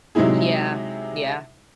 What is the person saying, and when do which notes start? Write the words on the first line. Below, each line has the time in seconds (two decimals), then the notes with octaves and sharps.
Yeah, yeah.
0.15 C3 F#3 G#3 D#4 E4 G#4